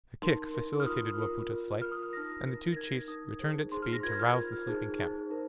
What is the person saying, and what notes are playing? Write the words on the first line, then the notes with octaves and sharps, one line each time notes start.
A kick facilitated Wapoota's flight, and the two chiefs returned at speed to rouse the sleeping camp.
D#4 A#4 C6
D#4 A#4
F6
F4 A#4 D#6
F4 A#4
F4 A#4
F4 A#4 F6
D#6
F6
D#4 A#4 A#6
D#4 A#4
A#6
D#4 A#4 G#6
D#4 A#4 D#6
D#4 G#4 C5
D#4 G#4 C5 C6
F6
A#6
F4 A#4 G#6
F6
F4 A#4
D#4 G#4 C5
D#4 G#4 C5
D#4 A#4